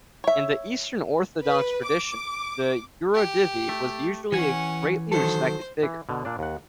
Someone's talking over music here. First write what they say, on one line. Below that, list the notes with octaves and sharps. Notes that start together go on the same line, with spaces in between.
In the Eastern Orthodox tradition the "yurodivy" was usually a greatly respected figure.
C#5 E5
B4
D6
G4
A3
E3 C#4 F#5 G#5
D#3 F#3 A4 C5
E3
B2 D3
A#2 D4 D5
D#2 F#5